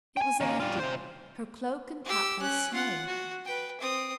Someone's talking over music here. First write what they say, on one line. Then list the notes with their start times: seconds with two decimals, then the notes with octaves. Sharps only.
It was a lady; her cloak and cap were of snow.
0.17 G5 G#5
0.41 D#3 A#3
0.60 G3 F4
0.80 C3 C5
2.06 G4 E6
2.40 C#4 F#6
2.73 F4 F#5
3.06 F#4
3.45 B4 G5
3.80 C4 D#6